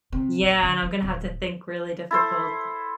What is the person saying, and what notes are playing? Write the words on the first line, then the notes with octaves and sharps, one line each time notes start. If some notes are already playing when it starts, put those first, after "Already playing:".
yeah, and I'm gonna have to think really difficult.
C3
A#1
D3
G#3
D1
E4 A4 C5